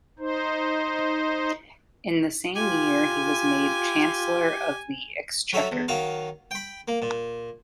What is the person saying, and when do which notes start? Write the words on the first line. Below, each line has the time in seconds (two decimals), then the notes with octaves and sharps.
In the same year he was made chancellor of the exchequer.
0.19 D#4 C5
2.56 F4 G4 G#5
5.53 F#3 C#4 A4 E5 A#5
5.72 E2
5.88 D#3 F#3 F5 A5
6.51 G5 B5
6.88 A#3
7.02 A#2